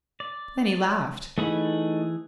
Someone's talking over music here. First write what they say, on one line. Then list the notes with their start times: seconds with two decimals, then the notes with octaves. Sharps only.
Then he laughed.
0.20 D5
1.38 E3 A3 D#4 G#4 B5